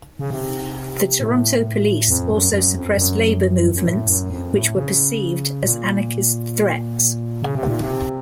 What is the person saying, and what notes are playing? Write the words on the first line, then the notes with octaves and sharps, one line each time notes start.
The Toronto Police also suppressed labour movements which were perceived as anarchist threats.
C#3
C3
A2
F2
F#2
F#2
F2
F#2
F#2
A2
F#2
F2
A2
C#3
A#2
C#3
C3
A#2
C3